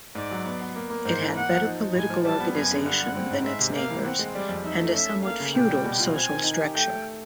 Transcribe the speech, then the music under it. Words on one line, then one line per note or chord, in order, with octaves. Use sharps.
It had better political organization than its neighbors and a somewhat 'feudal' social structure.
G#2 D5
F#3
B3
B3
A#3
A#3
G#2 C5
E3
A#3 F#5
F3
D#4
D#4
A2 G#5
F3
G3 A5
B3
F#2 G#5
D3
G2 F#5
G2
C4
G#2
G#3 E5
C3
A#3 F5
E3
C4 F#5
G#3
G3 D5
F2
D#4 E5
A3
C#4 E5
A3
A#3 F5
C#3
A#2 G5
G3
B2
F4
C4 G#5
D#3
D#4
G4
A3 G5
A3